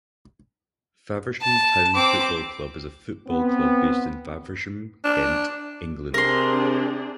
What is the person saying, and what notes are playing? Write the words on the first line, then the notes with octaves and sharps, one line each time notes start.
Faversham Town Football Club is a football club based in Faversham, Kent, England.
A5
C4 D6
B3 C4
D4
C3 C4 D4 G#4 A#4 C6